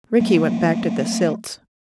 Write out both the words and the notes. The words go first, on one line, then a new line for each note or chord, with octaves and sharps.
Rickie went back to the Silts.
F#3 A3 A#3